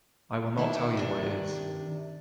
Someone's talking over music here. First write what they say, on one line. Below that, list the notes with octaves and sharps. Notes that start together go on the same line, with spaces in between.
I will not tell you what it is.
D#3 D4 E4
C3 D4